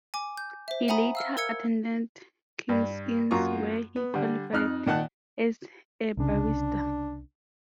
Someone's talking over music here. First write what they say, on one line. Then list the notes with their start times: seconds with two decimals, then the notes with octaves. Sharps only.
He later attended King's Inns where he qualified as a barrister.
0.14 G#5 D6
0.37 G6
0.68 C5 E5
0.88 E5 F#5 G#5 A#5 B5 D#6
1.15 F5 E6 F6
1.37 A#4 E6 G#6 C#7
2.69 G2
3.31 F#2 F#3 A#3 F4 A#5 C#6
3.96 B3
4.14 D3 G3
4.53 F2 D#4 F6 F#6
4.86 A#2 D#3 F#5 A5 F#6
6.17 C2 C#3 D4